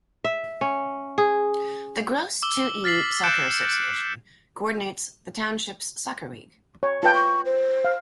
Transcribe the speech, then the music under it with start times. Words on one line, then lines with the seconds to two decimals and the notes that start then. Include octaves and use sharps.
The Grosse Ile Soccer Association coordinates the township's soccer league.
0.24 E5
0.61 C#4
1.18 G#4
2.43 D6 E6 G7
2.84 F6 A6 B6 C7 F#7
3.23 F#6 G6 A6 C#7 D7 E7
6.83 C#5
7.03 F4 B4 G5 A5
7.15 C#6
7.46 C5
7.85 F5